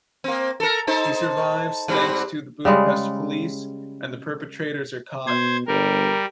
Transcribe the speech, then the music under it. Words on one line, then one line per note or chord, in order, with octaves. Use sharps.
He survives thanks to the Budapest Police and the perpetrators are caught.
A#3 C4
A4 A#4
D#4 A4 C5
G#2 G3 C4
C#3 G3 G#3
B2 C5 G#6
G1 G3 A#4